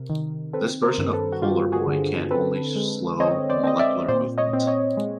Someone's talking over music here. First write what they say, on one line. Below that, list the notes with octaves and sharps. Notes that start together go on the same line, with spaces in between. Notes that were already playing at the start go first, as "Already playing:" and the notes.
This version of Polar Boy can only slow molecular movement.
Already playing: C3 A#4
D#3
C4 A4 B4
A#4 C5
G2
A4 B4
F#4
G2 F4 G4
F#4 G#4
D3
C4 A4 B4
G#3
C4 C#5 D#5
C5 D5
C4 D#5
D5 E5
A#2 C5 D5
C#5 D#5
C4
C#5 D#5
G#3